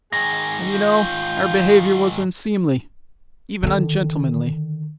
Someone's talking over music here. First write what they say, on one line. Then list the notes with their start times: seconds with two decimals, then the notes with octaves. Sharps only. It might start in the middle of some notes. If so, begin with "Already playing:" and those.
And, you know, our behaviour was unseemly, even ungentlemanly.
0.13 G#2 D#3 G#4 A#6
0.73 F4 G6
3.63 D3 D#3